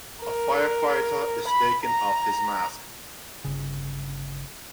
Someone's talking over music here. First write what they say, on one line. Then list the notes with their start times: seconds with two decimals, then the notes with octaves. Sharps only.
A firefighter is taking off his mask.
0.24 A#4
1.48 B5
1.84 A#5
3.45 G1 C#3